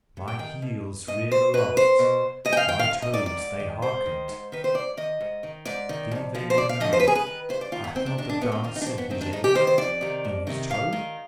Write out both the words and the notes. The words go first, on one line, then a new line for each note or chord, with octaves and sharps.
My heels reared aloft, my toes they hearkened,--thee they would know: hath not the dancer his ear--in his toe!
G2
G5
D#3 G5
B2
B2 D#5
C5
B2 B4
C5
B2
G#2 D#5
G5
F5
D#3 G5
F5
G#2
D#5
D#3 D5
D5
G#2
D#3
G#2 C5
D#3
G#2
D#3 B4
C5
G#2 D5
D#3 D#5
G#2
D#3
G#2 D5
D#3
F2
D3 F3
C5
F2 D5
F5
D3 F3 D#5
C5
B4
G2 G#4
B4
D#3
G2 C5
D5
D#3 F4
B3
G#2 C4
D4
D#3 D4
D4
G#2 B3
C4
D#3 F4
D#4
D4
F2 C4
B3
D#3 C4
D4
F2 D#4
G4
D#3 C5
C5
F2 D5
C3 D#3
F2
C3 D#3
G2 F5
D#3